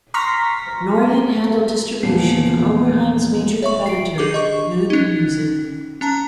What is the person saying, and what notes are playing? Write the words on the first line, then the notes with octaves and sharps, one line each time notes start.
Norlin handled distribution for Oberheim's major competitor, Moog Music.
A#5 C6 C#6 F6 A#6 B6
E2 A#2 F3 C#4 C7
C#5 E5 C#6
C7 D7
D4 G4 G#4 D6
D#5 C#6
C#4 D#4
C#4 A5 A#5